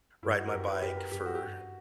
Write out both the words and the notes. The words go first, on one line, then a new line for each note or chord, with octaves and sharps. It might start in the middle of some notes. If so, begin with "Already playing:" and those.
ride my bike for
G2 E4
F#4
A#4
F#2 G4
B4
F#2 G4
A#4
F#2 G4
F#4
G4
G2 F#4